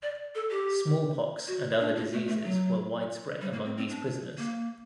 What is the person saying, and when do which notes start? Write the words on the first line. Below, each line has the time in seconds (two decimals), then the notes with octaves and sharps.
Smallpox and other diseases were widespread among these prisoners.
0.03 D5
0.35 A4
0.51 G4
1.48 F#4
1.80 D4
1.96 A#3
2.13 A3
2.28 A3
2.44 F#3
3.41 G3
3.53 A#3
3.65 C4
3.77 C4
3.90 D4
4.38 A#3